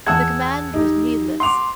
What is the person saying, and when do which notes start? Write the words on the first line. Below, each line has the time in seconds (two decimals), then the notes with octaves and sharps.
The command was needless.
0.06 E2 G#4 F#5 A5 E6 G#6
0.74 D#4 G4
1.40 F#5 C6 D6 F7